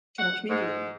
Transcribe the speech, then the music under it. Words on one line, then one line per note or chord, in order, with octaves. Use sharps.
Do you wanna watch a movie with me?
F#5
G#2